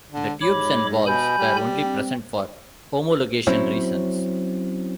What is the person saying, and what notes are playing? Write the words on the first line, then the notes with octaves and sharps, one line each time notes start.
The tubes and valves were only present for homologation reasons.
D3
G#2 C#5 B5 D6
B2 G#5 B5 G6
G3
C4
F#3 C4 C#4 E4 C5 C#5